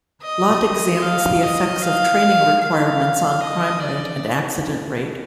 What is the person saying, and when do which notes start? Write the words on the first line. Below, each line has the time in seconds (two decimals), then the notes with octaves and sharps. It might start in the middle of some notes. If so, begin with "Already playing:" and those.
Lott examines the effects of training requirements on crime rate and accident rate.
0.23 D#5
1.02 F5
1.42 D#5
1.82 F5
2.61 F5
3.41 D#5
3.80 D5